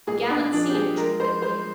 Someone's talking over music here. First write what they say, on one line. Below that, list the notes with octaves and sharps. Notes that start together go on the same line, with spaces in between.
A gallant scene in truth it made.
A#2 G#4
D4
F3 D4
G4
G#4
G#3 A#4
C5
G#3 C5